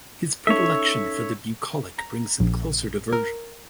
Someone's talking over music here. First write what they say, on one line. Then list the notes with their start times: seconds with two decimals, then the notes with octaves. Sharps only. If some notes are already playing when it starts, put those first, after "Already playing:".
His predilection for the bucolic brings him closer to Virgil.
0.47 C#4 D#4 A4 C#5 E5
1.98 A#5
2.40 A#1
3.13 A#4